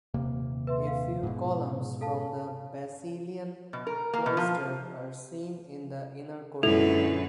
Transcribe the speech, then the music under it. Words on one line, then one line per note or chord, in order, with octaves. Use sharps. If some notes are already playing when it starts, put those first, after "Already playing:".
A few columns from the Basilian cloister are seen in the inner courtyard.
D#1 C3 A#3
B4 E5 C6
F5
G#2 B2
A4 F5 A5
B2
A#4
A#3
B2
F3
F#2 A#2 D3 G#3 E4 A4 B4